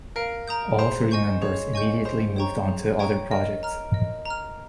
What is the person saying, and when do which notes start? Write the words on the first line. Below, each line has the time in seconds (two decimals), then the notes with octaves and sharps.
All three members immediately moved on to other projects.
0.16 A#4 F5
0.48 A#5 D#6 G6
0.79 G#4 C5
1.11 D#5 G#5 C#6 G6
1.42 G#4 C#5
1.74 D#5 G#5 C#6 G6
2.05 G#4 C5
2.36 C#5 G5 A#5 C#6
2.68 G#4
2.99 C#5 G5 A#5 C#6
3.31 A#4 D#5
3.63 A#5 F6
3.94 D#5
4.25 A#5 F6